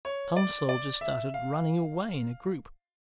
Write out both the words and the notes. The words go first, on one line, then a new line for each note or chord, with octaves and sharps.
Some soldiers started running away in a group.
C#5
D5
D5
E5
F5